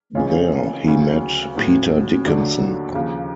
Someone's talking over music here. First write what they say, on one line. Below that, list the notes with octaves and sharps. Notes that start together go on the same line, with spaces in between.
There he met Peter Dickinson.
C#3 E3 G#3 C#4 F4
D2 C#3 F#3
A2 F#3 B3
D#2 D3 F#3 A3 D4
D#2 C#3 F3